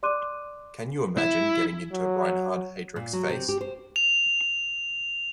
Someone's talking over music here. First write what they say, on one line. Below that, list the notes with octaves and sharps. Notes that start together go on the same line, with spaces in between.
Can you imagine getting into Reinhard Heydrich's face?
D5 C6 D6 F#6 D#7
E4
F#3
A#2
F#3
C3
G4
C5
F7